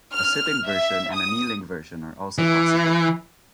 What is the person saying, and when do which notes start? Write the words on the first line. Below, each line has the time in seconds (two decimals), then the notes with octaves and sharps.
A sitting version and a kneeling version are also possible.
0.13 F6
0.66 E5
1.13 D#6
2.38 E3